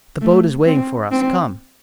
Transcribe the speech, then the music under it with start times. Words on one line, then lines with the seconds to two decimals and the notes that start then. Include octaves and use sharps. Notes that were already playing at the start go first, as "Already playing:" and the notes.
"The boat is waiting for us; come."
0.21 A3
0.66 C4
1.11 C4